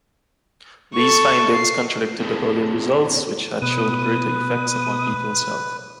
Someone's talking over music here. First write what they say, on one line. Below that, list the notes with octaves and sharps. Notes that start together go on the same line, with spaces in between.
These findings contradicted the earlier results, which had shown greater effects upon people's health.
A4 C#6
C7
B3 C4 D4 E4 G#4
B2 B4 D#6